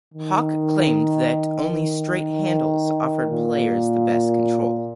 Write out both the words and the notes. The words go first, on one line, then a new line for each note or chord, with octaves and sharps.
Hock claimed that only straight handles offered players the best control.
D#3
D#3
A#2